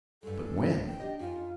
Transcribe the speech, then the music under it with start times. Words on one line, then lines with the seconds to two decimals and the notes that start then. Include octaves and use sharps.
"But when?"
0.23 G2 G#3 A4
0.87 G5
1.00 D4 G4 D#5
1.19 F2 D#4 F4 G#5